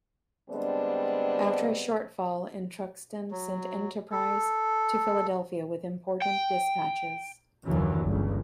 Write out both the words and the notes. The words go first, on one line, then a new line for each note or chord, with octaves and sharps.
After a short fall in Truxtun sent "Enterprise" to Philadelphia with important dispatches.
D3 G3 G#3 B3 C4 D4
F#3
A4
G5
F#1 D#2 D3 E3 F#3
G1 C#2